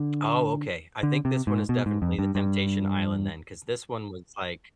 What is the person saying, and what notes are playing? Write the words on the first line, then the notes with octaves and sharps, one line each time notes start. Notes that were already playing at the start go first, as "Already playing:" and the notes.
Oh, okay. I think this one is definitely the Temptation Island then, 'cause this one was like
Already playing: D3
D3
C3
G#2
B2
G#2
F2
G2
G2